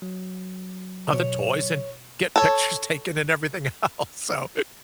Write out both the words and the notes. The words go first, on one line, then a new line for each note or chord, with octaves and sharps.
of the toys and get pictures taken and everything else, so
F#3
B2 C#5
A4 C#5